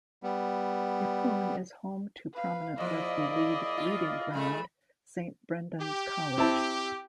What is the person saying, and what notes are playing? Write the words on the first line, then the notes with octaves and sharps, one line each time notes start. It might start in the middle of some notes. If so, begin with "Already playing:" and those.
Yeppoon is home to prominent Rugby league breeding ground Saint Brendan's College.
G3 B3
B4 F5
F3 A#3 E4 G#4 D5 D#5
F4
A#2 G#3 A3 B5
G4
C4 E4 A5